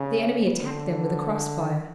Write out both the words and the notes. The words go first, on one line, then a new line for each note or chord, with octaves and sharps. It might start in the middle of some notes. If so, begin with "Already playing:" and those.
The enemy attacked them with a cross-fire.
Already playing: C#3
D3